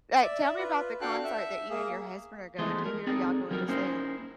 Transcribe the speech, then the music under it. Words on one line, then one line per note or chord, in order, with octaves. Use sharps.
uh, tell me about the concert that you and your husband are going to, who are y'all going to see?
D5 E5
F4 B4
D4 F#4 A4 F5 G5 F#6
E5
A#3 G#4
E2 F3 G#3 A3 D#4 C6
A#4
C4 D#4 G#4 A4 D5
F#3 G3 D#4 A#4
A#3 C#4 D#4 E4 A#4 C5